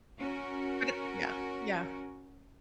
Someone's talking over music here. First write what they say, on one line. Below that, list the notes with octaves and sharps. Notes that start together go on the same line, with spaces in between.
but it Yeah, yeah.
C#4 F#4 A#4